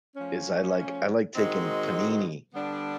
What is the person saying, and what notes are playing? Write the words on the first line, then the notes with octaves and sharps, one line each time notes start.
is I like I like taking panini,
F3 A3 C#4
D#3 G#3 C4 D#4 F#4
D3 G3 B3 D4